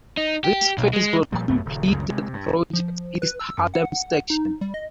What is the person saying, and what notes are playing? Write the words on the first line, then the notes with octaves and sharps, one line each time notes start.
This phase will complete the project's East Harlem section.
D#4
G4
B1
G#3
A#2 F3 G3
B1 F#2 A3 B3
D#1 C#3
C#2 F#2 C#3
C3 G#3
G2
F3
B4
E6
F#2
F#5
D#4
G3
D#5